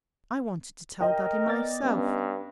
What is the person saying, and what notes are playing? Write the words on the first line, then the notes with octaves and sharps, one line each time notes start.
I wanted to tell daddy myself.
A#4 D#5 G5
B3 D5 A6
G2 B3 C#4